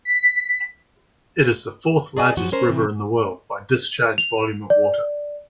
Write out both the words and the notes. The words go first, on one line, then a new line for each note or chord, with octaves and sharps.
It is the fourth largest river in the world by discharge volume of water.
B6
G#4 D5 D#5 G#5
F#2 F3 F#4
C#4 A#4 C5
C3 E3 C4
F7
D5